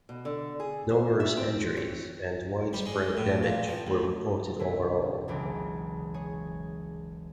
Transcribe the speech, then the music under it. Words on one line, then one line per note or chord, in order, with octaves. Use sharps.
Numerous injuries and widespread damage were reported overall.
B2
D3
G#4
C5
E5
C4
C#5
G3
G#3
A2
A#2
F3
D2
B2 D3 F#3 C#4 E4 B6
F#1 C#2 E3 G4 G#4
G#4 C#5